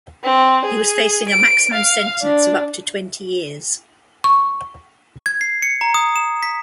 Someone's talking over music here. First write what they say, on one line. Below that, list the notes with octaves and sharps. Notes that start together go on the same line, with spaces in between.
He was facing a maximum sentence of up to twenty years.
C4
G#4
D7
F5
D4
C#6
G#6
C7
C#7
A#5
D#6
E7
B6